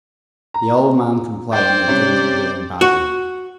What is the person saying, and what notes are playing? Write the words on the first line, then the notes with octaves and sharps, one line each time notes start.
The old man complained that things were doing badly.
A#5
C5 D5 G5
C3 G3 C#4
F#4